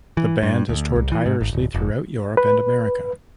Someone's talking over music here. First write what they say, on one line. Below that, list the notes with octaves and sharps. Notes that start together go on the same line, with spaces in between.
The band has toured tirelessly throughout Europe and America.
E3
G2
D2
C2
E3
G#2
G#1
D1
F1
B4